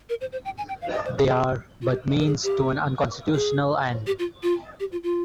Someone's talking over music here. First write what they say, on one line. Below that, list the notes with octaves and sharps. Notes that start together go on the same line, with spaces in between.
They are but means to an unconstitutional end.
A#4
C5
C5
G5
G#5
G5
F5
D#5
C5
G#4
F4
G4
A#4
G#4
G4
G#4
G4
F4
F4
G4
F4
F4